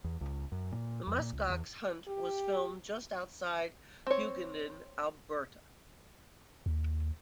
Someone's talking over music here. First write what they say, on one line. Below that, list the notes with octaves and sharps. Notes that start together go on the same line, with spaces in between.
The muskox hunt was filmed just outside Hughenden, Alberta.
E2
C#2
F#2
A#2
F2
A#2
C#2
E2
G4
C4 C#5
D#2